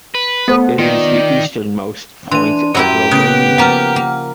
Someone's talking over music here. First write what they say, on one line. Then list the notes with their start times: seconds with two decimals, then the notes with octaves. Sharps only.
It is the easternmost point of Romania.
0.15 B4
0.48 A3 B3 C5 F#5
0.78 D#3 F4 D5
2.31 E3 D4 C6 D#7
2.75 F#2 F#3 E4 G4 A#4
3.11 C#3 B3 F#6 D7
3.58 F3 A#3 F#5 A#5 F6
3.96 A#3